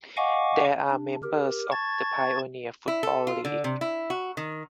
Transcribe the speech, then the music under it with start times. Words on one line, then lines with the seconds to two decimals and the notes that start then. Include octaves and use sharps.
They are members of the Pioneer Football League.
0.17 D#5 F5 F#5 G#5 C#6 D6
0.90 D4
1.23 G4 A#4
1.72 A5 C#6 G#6 A6
2.88 E4
3.03 A4
3.27 F4
3.45 D3
3.64 C3
3.81 E4
4.10 F#4
4.37 D#3